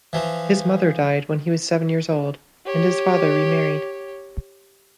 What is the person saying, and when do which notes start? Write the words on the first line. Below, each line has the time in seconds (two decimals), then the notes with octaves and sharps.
His mother died when he was seven years old and his father remarried.
0.13 E3 F3
2.66 G4 C#5